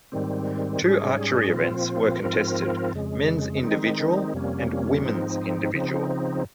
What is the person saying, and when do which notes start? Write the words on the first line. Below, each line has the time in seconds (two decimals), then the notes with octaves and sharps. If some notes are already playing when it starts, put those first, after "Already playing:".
Two archery events were contested: men's individual and women's individual.
0.12 G#2 D#3 G3 C4
0.82 G#2 G3 C#4 G#4
1.52 A#2 F3 C4 F4
2.23 G#2 F3 C4 F4 A#4
2.93 F2 C#3 G#3
3.63 D#3 G#3 C4 D#4
4.34 F2 C3 G3 A#3 C#4
5.04 G#2 F3 C4 D#4
5.74 C#3 F3 C4 D#4